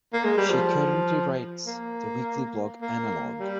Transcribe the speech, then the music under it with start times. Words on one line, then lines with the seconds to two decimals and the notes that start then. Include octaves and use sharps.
She currently writes the weekly blog 'Annalog'.
0.14 A#3
0.25 G#3
0.37 G3
0.50 F3
1.67 A#3
2.82 A#3
3.40 G3